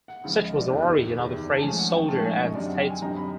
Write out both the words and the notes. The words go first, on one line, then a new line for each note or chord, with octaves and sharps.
Such was the origin of the phrase "soldier and statesman".
F#5
C#2 C#3 F3
D#5
D5
F#1 E2 C3 D#3
F#1 E2 C3 D#3
A5
G#2 F3 A3 C#4 G#5
F#5
G5
G#2 F3 A3 C#4 A5
G#5
D#5
F#2 D3 G3 C4 D#4 D5
F#5
G5
G#5
F#2 D3 G3 C4 D#4 A#5
B5